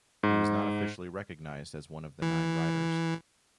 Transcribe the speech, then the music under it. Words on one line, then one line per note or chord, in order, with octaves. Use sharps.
He was not officially recognized as one of the nine riders.
G#2
E3